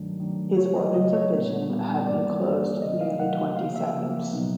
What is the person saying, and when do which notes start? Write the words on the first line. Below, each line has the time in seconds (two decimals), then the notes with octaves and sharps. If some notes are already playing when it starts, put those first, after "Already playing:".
His organs of vision had been closed nearly twenty seconds.
Already playing: G2 D#3 F#3 A3 D4
0.19 G2 D#3 F#3 A3 D4
0.56 C#3 F#3 A3 C#5
0.76 D#5
0.94 C#3 F#3 A3 D#5
1.13 C#5
1.31 A#2 G3 B3
1.69 A#2 G3 B3
2.06 G2 E3 G3 A#3 D5
2.44 G2 E3 G3 A#3
2.82 C2 C3 D#3 F#3 A3 D#5
3.01 F5
3.19 C2 C3 D#3 F#3 A3 F#5
3.57 C#3 F3 A#3 F5
3.76 E5
3.94 C#3 F3 A#3
4.32 B2 F#3 B3 D#4